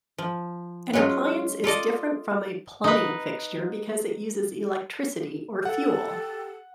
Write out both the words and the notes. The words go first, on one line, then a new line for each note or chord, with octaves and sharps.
An appliance is different from a plumbing fixture because it uses electricity or fuel.
F3
F#3 G#3 C#4 F4
F4 A4 D5 D#5
D#4 B4
G4 A4 F#5